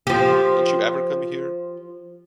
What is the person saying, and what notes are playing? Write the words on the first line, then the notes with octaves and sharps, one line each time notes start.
Don't you ever come here?
F3 G4